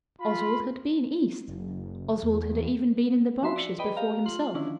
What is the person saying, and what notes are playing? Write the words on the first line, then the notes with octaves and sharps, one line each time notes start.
Oswald had been east, Oswald had even been in the Berkshires before himself.
F4 B5
F#1
E2
F3 F#4 E5 C6 B6
D5 E6 B6 C#7
B4 D5 D#5 G5 B5
G4 F5 A#5
F4 C6 F#7
D3 D#3 F3 C#4 D4 E4